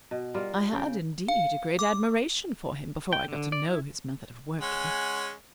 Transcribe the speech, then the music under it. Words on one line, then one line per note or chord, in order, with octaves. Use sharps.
I had, indeed, a great admiration for him, before I got to know his method of working.
B2
G3 F4 A#4
C#3 G5
F5
D6
G5
D3
D5
E4
G#3 C#4 F#5